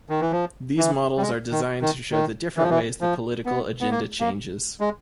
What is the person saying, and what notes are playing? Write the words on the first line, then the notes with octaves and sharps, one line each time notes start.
These models are designed to show the different ways the political agenda changes.
D#3
E3
F3
E3
G3
G#3
D#3
D#3
D#3
E3
F3
E3
F3
B3
B3
A#3
A#3
G#3